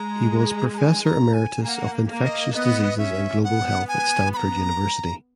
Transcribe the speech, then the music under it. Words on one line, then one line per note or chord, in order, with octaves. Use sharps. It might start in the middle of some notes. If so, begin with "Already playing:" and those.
He was professor emeritus of infectious diseases and global health at Stanford University.
Already playing: G#3 A#5
A#5
G#5
A#5
G#5
A#3 G#5
F#5
A#3
D#5
B3 D#5
C#4 E5
B3 F#5
G#5
B5
A#5